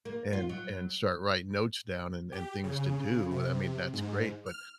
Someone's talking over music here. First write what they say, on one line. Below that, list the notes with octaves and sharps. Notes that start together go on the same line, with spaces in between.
and and start writing notes down and and things to do. I mean, that's great, but
A#3
F4
F#3
G4
C#3
C3
G#2
F6